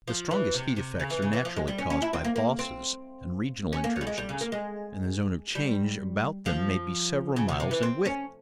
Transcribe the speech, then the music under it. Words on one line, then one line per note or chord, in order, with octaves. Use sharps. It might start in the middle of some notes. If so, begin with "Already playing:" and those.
The strongest heat effects are naturally caused by bosses and regional intrusions, and the zone of change about them may be several miles in width.
F3
E3
C3
C3
C#3
E3
C#3
E3
F3
G#3
G3
C#4
C#4
E4
C4
A#3
A#3
C4
C#4
A#3
C#4
G3
G#3
G3
C#3
A#3
G#3
G3
F3
C#3
C3
C3
E3
C4
C#4